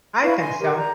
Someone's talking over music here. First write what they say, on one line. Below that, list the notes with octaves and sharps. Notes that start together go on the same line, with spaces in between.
I think so.
E4 B4 F5 C#6
D#5 G#5 C6
G4 A#4
D5 A#5 G6